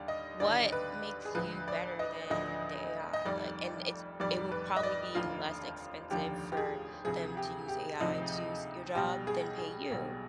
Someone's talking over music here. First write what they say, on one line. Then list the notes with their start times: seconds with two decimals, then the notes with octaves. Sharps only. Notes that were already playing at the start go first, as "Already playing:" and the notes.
what makes you better than the AI? Like, and it's it will probably be less expensive for them to use AI to do s your job than pay you.
Already playing: D#2 D3 G3 D5
0.08 D#5
0.40 D#2 D3 G3 D5
0.72 B4
1.25 G#4
1.35 D2 D3 F3 B4
1.68 D5
1.99 D#5
2.30 D2 D3 F3 D#5
3.13 D#5
3.25 F1 F2 D#3 G3 D5
4.20 F1 F2 D#3 G3 D5
4.52 B4
4.76 D#5
4.83 D5
5.15 F1 D#2 D3 F3 F4
6.10 F1 D#2 D3 F3 G4
6.52 G4
6.57 G#4
7.05 D2 C3 F3 G#4
7.37 G4
7.68 G4
8.00 D2 C3 F3 D#4
8.95 B1 B2 G3 G4
9.27 G#4
9.58 G#4
9.90 B1 B2 G3